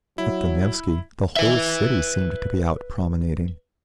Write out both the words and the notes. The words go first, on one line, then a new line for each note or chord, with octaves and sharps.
Up the Nevsky the whole city seemed to be out promenading.
F#3 E4
B4 E5